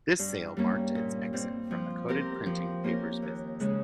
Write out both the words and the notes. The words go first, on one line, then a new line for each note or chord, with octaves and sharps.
This sale marked its exit from the coated printing papers business.
G2
G3 A#3 C#4
A#2
G3 C4
F3
C4 G4 A#4
F3
A#3 C#4 G4 A#4
D#2
C#3 G#3 C#4